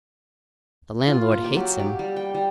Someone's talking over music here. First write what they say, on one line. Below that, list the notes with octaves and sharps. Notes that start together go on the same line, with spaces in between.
The landlord hates him.
F4
A#3
G4
F#3
G4
G3
G5
G3